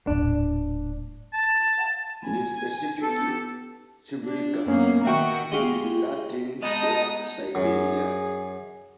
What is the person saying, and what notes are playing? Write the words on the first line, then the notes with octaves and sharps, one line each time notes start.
The specific "sibirica" is Latin for Siberia.
D#1 A2 D4
A5
G#5
B3 G4 A4
D4
F#2 A#3 B3 C#4
D#3 F#4 E5 G5 C#6
G#3 F#4 G4 D#5 F5
G#3 B3 D#4 D#5 A5 D#6
F#2 G#4